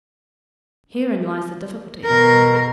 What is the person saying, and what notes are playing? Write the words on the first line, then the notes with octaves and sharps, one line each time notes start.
Herein lies the difficulty.
B2 A#4